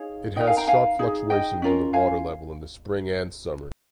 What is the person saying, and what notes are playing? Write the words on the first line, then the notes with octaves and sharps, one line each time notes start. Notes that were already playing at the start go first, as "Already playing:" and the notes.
It has sharp fluctuations in the water level in the spring and summer.
Already playing: D#4 G#4 C#5 F5
D#4 A#4 D#5 G5
F5 G#5
G5 A#5
F5 G#5
D#4 G#4
D#5 G5
C#4 F4 A#4
F5 G#5